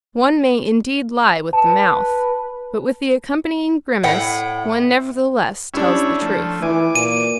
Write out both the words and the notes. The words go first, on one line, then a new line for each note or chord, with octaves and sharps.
One may indeed lie with the mouth; but with the accompanying grimace one nevertheless tells the truth.
B4 A5
A2 F#5 G5
G3 C#4 D4 E4
F3 A3
E3 G#5 D6
A#2 D#7